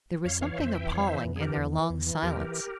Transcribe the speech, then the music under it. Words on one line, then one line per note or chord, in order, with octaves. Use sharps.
There was something appalling in their long silence.
F2 C#5 F5
E3 C#5 F5
F2 C5 E5
E3 E5 G5
F2 C#5 F5
E3 C5 E5
F2
G#4
E3 G4 A#4
E2
E3
E2
E3
E2 G4 A#4
E3